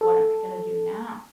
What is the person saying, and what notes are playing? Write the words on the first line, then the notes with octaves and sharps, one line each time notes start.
"What am I gonna do now?"
A4